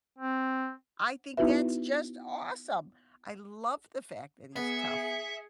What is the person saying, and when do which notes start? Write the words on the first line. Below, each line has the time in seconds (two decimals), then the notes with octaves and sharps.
I think that's just awesome! I love the fact that he's tough.
0.19 C4
1.37 B3 D#4 E4 F#4 B4 E5
4.56 B3 G#4 E5 C#7